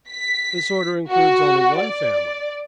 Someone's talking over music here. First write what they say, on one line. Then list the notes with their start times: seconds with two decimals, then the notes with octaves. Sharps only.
This order includes only one family.
0.11 B6
1.10 F#4
1.78 D5